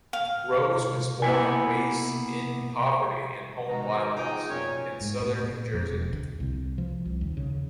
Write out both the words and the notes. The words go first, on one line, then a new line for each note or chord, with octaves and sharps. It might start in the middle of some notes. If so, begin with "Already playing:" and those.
Rose was born and raised in poverty and home violence in Southern New Jersey.
F5
A#3 B3 E4 B4 G#5
G#2 B2 D#3 D#4 F#4 A#5
D#4 F4 G#4 D#5 G5
F#2 A#2 B3 C#4 C#5 G#5
G#2
A2
A#2
F2
E1
D2
C2
F3
C2
D#2
C#3